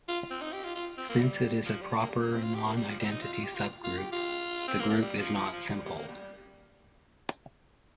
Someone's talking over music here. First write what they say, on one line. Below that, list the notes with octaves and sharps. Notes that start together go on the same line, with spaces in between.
Since it is a proper, non-identity subgroup, the group is not simple.
F4
C4
D#4
G4
F4
F4
C4
A#3
G3
F3
G3
A#3
G3
A#3
C4
F4
G4
A#3
G3
F3
G3
C4
D#4
F4
F4
G4
F4
F4
G4
F4
C4
A#3
A#3
G3
F3
F3
F3
G3
G3
A#3
G3